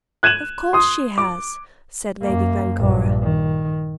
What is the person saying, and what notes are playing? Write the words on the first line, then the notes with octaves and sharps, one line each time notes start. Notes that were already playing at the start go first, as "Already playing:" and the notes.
"Of course she has," said Lady Glencora.
F#6 G#6 D#7 E7 F#7
C6 D#6
D6
F#2 A#3
A#1 G2
D#3